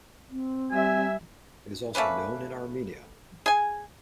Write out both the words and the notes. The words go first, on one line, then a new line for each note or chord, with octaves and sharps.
It is also known in Armenia.
C4
G3 E5 G#5
A3 A#3 C#4 B4
G#4 G#5